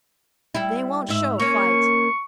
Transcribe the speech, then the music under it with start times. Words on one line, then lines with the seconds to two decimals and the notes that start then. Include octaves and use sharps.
They won't show fight.
0.55 G3 E4
1.09 G#2 E5
1.40 A#3 C#4 C#6